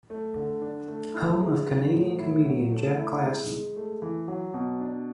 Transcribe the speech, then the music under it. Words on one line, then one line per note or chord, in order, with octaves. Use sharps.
Home of canadian comedian Jack Klassen.
A3
D3
D4
A3
E4
G#3
F#3
A2
E4
F#3
A3
E4
G#3
G#3
A3
E3
F#3
B2
D4